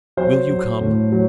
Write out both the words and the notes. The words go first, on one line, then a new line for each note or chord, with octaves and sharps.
Will you come?
F#3 C5
F#3
A2
F#3